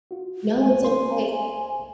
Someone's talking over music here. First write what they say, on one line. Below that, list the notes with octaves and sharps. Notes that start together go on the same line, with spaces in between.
No, it's okay.
F4 F#4
G#5
C2 C5 C6